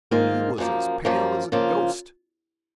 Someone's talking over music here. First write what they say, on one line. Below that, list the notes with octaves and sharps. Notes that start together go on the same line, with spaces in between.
He was as pale as a ghost.
G#2 D#3 A#3 F4
F#2 F3 A#3
F#2 F3 A#3
C#3 F3 A#3 F4